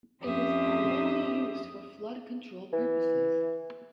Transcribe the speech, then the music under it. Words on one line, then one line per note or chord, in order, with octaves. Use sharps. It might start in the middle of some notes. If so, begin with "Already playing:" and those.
It is primarily used for flood control purposes.
F2 C4 C#4 G4 E5 D#6
E3